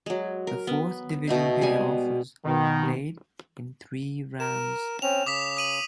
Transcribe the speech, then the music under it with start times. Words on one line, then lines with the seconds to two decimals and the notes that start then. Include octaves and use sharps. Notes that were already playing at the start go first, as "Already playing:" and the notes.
The Fourth Division playoff was played in three rounds.
0.06 F#3 G#3
0.47 A#4
0.67 B3
1.27 B2 A3 D#4
1.61 G3 G#3 G#4 G#5
2.45 B2 D#3
4.40 A#4 E7
5.02 C4 C#4 F7
5.26 C#3 D6 D#6 B6
5.57 D#6 D#7 F#7